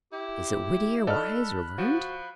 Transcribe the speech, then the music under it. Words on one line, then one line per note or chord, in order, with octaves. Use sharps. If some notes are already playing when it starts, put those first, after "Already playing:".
Is it witty, or wise, or learned?
E4 G4
D#4 F4 A4 D5 B5 F6 F#6
F3 F#4